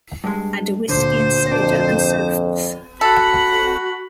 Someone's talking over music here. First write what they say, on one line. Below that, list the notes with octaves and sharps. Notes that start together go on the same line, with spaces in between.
And a whisky and soda, and so forth.
G2 G#3
D2 A#2 D3 C5
F2 D4
F#4 A4 F#5 B5